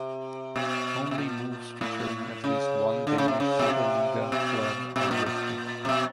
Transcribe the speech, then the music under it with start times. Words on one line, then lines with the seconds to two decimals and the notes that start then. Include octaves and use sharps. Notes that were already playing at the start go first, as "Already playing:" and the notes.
Only moves featuring at least one Danish Superliga club are listed.
Already playing: C3
0.56 B2
1.11 B2
1.18 A#2
1.81 A2
2.44 C#3
3.07 D3
3.18 C#3
3.28 C3
3.40 C#3
3.59 B2
3.70 C3
4.32 B2
4.96 B2
5.11 A#2
5.26 A#2
5.85 C3
5.89 B2